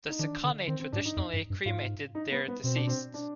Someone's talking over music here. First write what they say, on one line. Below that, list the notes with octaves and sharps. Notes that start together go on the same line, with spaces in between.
The Sekani traditionally cremated their deceased.
D#4
D#3 D4
D3
D#3 C4
C4
G#2 D4
D#4
F2
G2
G2
G#2 F4
D#4
B3
B3
B2 C4
D4
C4
D4